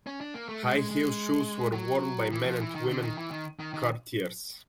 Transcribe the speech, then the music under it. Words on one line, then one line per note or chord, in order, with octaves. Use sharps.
High-heel shoes were worn by men and women courtiers.
C#4
D4
A#3
A3
G#3
G#3
G#3
F3
F#3
E3
F3
E3
D#3
D3
D#3
E3
D#3
D#3
D#3